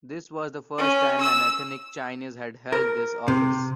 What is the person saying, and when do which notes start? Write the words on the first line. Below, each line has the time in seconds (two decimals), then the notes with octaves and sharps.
This was the first time an ethnic Chinese had held this office.
0.78 C#4
1.21 E6
2.72 A#4
3.28 C3